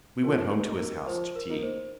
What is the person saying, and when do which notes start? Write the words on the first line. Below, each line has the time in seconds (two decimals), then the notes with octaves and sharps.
We went home to his house to tea.
0.23 F3 A#4
0.51 G4
0.65 A#3 D#4
0.79 A#4
1.07 F3 C5
1.36 A#4
1.50 A#3 D#4
1.63 C5